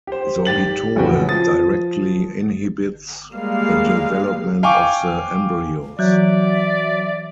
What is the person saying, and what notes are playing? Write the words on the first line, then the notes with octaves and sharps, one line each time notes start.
Sorbitol directly inhibits the development of the embryos.
G4 C5
G#1 G4 A6 F#7
A1 F2 C#3 F#4 B4 G5
F3 D#6 A6
G3 G#3 A#3 F5
F5 G5 G#5 C#6 D6
E3 F#3 F#4 D5 E5